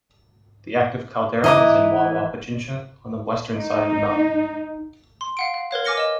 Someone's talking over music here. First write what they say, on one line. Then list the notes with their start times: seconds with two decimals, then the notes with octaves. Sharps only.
The active caldera is in Wawa Pichincha on the western side of the mountain.
1.44 E3 E4 B4 D#5 A#5 D6
3.58 D#4
5.21 C6
5.37 F5 F#5 D7
5.54 F5
5.71 A#4 B4 C#5 F5
5.85 G#5 D6 F6 A#6 C#7 G7
5.97 D#5 E7